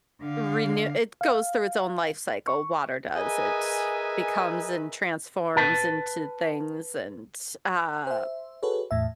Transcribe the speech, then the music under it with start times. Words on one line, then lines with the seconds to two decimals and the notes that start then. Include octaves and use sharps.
renew it goes through its own life cycle, water does, it becomes and transforms into things and, uh,
0.21 D3 F5
1.21 F5
2.48 C#6
3.15 G#4 A#4 B4 D#5 E5 G#5
5.57 B4 A5
8.07 C5 E5
8.63 F#4 G#4 A4 B4 C#5
8.91 E2 A2 E5